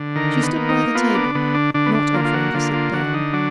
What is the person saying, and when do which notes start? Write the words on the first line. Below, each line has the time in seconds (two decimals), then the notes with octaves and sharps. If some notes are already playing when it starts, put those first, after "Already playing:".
She stood by the table, not offering to sit down.
Already playing: D3
0.16 D#3 A#4
0.43 B3
0.55 A#3
0.69 D#4
0.95 B3 F4
1.15 D4
1.35 D3 B3
1.54 D4
1.74 D3 D4
1.86 B3
1.95 D4
2.14 A#3 F4
2.25 F4
2.34 F#4
2.54 D3 F4
2.74 F4
2.93 D3 F#4
3.14 D#4
3.33 F#3 D4